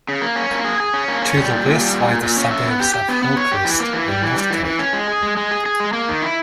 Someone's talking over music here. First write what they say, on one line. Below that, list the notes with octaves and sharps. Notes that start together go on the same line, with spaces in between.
To the west lie the suburbs of Hillcrest and Northcote.
C#3
A#3
C#4
A#3
G#4
G#4
C#4
A#3
C#4
G3
A#2
A#2
G3
A#2
A#2
A#2
C#4
E5
B3
G4
G4
B3
B3
C#5
G4
E3
A#3
E3
G3
E3
G3
E3
E3
C#4
G#3
G#4
G#3
G#3
G#4
G#4
G#3
A#3
D#3
E4